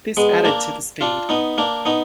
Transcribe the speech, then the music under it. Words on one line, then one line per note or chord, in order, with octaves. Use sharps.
This added to the speed.
G#3 B3
A#3 D4
D4 F4
B3 D#4
A#3 D4
B3 D#4